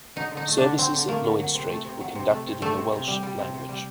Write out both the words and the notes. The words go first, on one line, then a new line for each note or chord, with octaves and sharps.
Services at Lloyd Street were conducted in the Welsh language.
F#3 D#4
D3
D#4
A3
D4
D3
F#3 C4
D3
A3 A#3
D3
F#3
C3
A3
C3
F#3
C3
A3
C3
G3 A3
C3
C3
G3
G3
C3
C3
G3